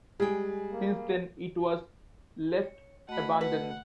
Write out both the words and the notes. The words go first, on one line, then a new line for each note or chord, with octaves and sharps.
Since then, it was left abandoned.
G3 G#3 G#4 G5
A#3
C#5
A3 F#4 D#5 F#5 B5
B4 F#5